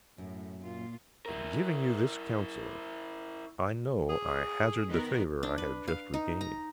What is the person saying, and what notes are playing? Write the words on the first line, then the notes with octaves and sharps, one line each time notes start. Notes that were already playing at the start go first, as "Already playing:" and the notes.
In giving you this counsel, I know I hazard the favour I have just regained.
F#2 A2
A#2 F4
E4 A#4
G#4
D#3 B3 A#4
D4
B4
F5
D#4
A#5